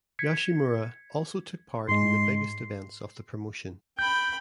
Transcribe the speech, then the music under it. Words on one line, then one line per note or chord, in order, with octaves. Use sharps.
Yoshimura also took part in the biggest events of the promotion.
G#6 B6 C#7
G#2 G#3 C6
G5 B5 G6